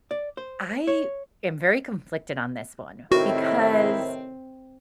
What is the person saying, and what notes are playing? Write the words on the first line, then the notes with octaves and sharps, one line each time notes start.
I am very conflicted on this one, because
D5
C5
C#5
A2 C3 D#3 C4 E4 F#4